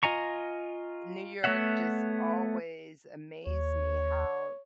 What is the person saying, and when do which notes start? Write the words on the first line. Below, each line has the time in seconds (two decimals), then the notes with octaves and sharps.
New York just always amazed me how
0.03 F4 D#5 G#5 A#5 C#6
1.44 A3 B3 C#5 E5 F#5
3.46 D#2 C#5